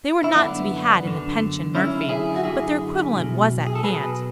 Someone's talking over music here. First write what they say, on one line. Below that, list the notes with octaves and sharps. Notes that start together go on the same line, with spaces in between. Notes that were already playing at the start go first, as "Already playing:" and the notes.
They were not to be had in the Pension Murphy; but their equivalent was at hand.
E4
F#2 D3 B3 D4
F#2 D3
F#2 D3 C#4 E4
E4 G#4
F#4
F#2 D3 E4 G#4
B1 B2
G#4
A4
B1 B2 G#4 B4